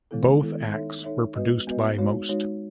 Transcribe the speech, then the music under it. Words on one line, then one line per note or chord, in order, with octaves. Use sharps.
Both acts were produced by Most.
D#3 G#3 B3 E4 A4
D#3 G#3 B3 E4 A4
D#4 A4 C#5 E5
D#4 A4 C#5 E5
G#3 B3 F#4 B4 D#5
G#3 B3 F#4 B4 D#5
G#3 D#4 F#4 C#5
G#3 D#4 F#4 C#5